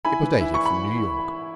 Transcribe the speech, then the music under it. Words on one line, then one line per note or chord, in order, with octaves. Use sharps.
It was dated from New York.
E4 G#5 B5
E3
E4
C#6
B5